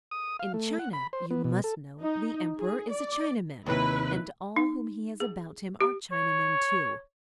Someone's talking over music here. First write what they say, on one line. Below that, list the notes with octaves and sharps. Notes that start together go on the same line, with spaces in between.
In China, you must know, the Emperor is a Chinaman, and all whom he has about him are Chinamen too.
D#6
F5
A3
F#5
B5
C5
B3
B2
A4
D#4
G#4
D5
D#2 C3 E4 B4
D#4
G#4
G4
C#5